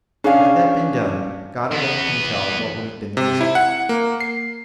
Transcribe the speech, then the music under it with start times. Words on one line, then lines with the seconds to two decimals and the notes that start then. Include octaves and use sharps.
Had that been done God alone can tell what would have been the result.
0.24 C#4 D4 G#4 F5
1.71 E2 B3
3.17 C3
3.41 E4
3.55 F#5
3.89 A#3
4.20 C7